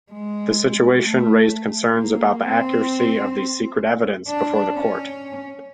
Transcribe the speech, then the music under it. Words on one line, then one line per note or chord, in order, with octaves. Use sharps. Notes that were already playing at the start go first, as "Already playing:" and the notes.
The situation raised concerns about the accuracy of the secret evidence before the court.
G#3
A3
A#3
C4
D4
C#4